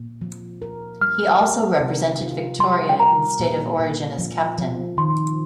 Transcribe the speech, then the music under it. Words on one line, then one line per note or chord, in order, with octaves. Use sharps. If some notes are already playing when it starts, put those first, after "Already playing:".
He also represented Victoria in State of Origin as captain.
Already playing: A#2
F3
A#4
G3 F6
A#4
C3
F4
G3 C6
G5
A#4 A#5
A#2
A#2
F3
F3
D#3 C6